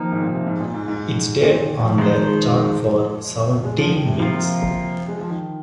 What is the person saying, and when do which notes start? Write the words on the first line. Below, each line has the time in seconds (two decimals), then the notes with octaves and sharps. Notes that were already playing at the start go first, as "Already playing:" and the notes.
It stayed on the chart for seventeen weeks.
Already playing: D#3 F3 A#3 D#4
0.12 G#2
0.23 A#2
0.33 C3
0.47 G#2
0.61 A#2
0.74 G#2
0.88 G#2
1.43 A#2
1.62 D#3
1.80 F3
1.98 D#3 F3 G#3 D#4 C5
3.64 G#3
3.78 F3
3.91 D#3
4.06 C3
4.20 C3 F3 A#3 F4
5.08 G#3
5.19 F3
5.30 D#3